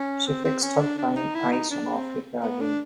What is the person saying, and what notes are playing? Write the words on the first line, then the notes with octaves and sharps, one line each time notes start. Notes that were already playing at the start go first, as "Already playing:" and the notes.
She fixed her fine eyes on Africa again.
Already playing: C#4
C4
C4
C#4
D4
D4
D#4
E4
D#4
D4
C4
B3
D4